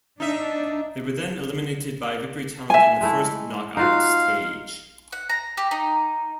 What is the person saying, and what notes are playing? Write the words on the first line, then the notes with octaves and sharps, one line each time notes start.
They were then eliminated by Victory Challenge in the first knock-out stage.
D4 D#4 E5
E5 G#5
G#3 A3 E4
D#4 F4 F#4 F5
F#5
A#5
G4
D#4